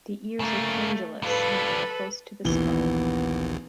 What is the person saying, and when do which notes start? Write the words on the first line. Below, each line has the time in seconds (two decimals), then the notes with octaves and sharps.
The ears are pendulous and hang close to the skull.
0.40 C#3 A3 A#3
1.23 G3 F4 A4 B4
2.45 A#1 D#2 E3 B3 G7